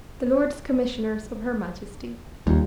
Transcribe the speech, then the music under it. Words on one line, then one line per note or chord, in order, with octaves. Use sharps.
"The Lords Commissioners of her Majesty."
D#2 G3 F4